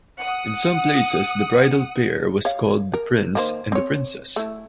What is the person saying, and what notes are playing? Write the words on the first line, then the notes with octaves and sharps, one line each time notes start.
In some places the bridal pair was called the prince and the princess.
F#5 D#6
C#5 F5
A#4
D#3 A#3 C5
C4 C#5
A3 E4